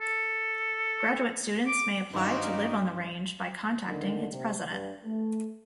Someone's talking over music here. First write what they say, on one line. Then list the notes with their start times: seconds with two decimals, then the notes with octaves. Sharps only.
Graduate students may apply to live on the Range by contacting its president.
0.01 A4
1.67 D6
2.13 G2 D#3 G3 C#4 D#4 F#4 C5 F5
3.87 D2 D3 D#3
4.32 C3
4.69 G2
5.04 A3